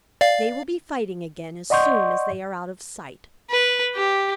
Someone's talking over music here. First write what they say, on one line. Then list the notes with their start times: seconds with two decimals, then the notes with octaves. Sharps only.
They will be fighting again as soon as they are out of sight.
0.21 D5 F5
1.70 D5 D#5 F#5 C6 C#6 G6
3.51 B4
3.95 G4